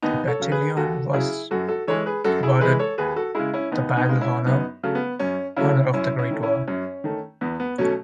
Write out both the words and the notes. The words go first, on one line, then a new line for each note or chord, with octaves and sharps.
The Battalion was awarded the Battle Honour "Honour of the Great War".
D#2 B3 D#4
A4 C#5
C#3 F#3
G#4 B4
D#2 F#4 A4
C#3 F#3 E4 G#4
F#2 F#4 A4
F#4 A4
E3 G#3 A4 C#5
G#4 B4
F#2 F#4 A4
E4 G#4
E3 G#3 G#4 B4
A4 C#5
D#2 G#4 B4
F#4 A4
C#3 G#3 E4 G#4
C#4 E4
D#2 B3 D#4
B3 D#4
C#3 G#3
C#4 E4
F#2 B3 D#4
C#3 F#3 A3
B3
F#2 C#4
C#3 F#3 A3 C#4 E4
F#2 C#4 E4
C#4 E4
D#3 A3
C#4 E4
F#2 C#4
D#3 A3
E2 B3
B3
B2 F#3 A3 C#4